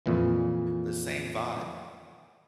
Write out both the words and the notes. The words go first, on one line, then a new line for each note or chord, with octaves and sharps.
the same vibe."
F2 A#2 E3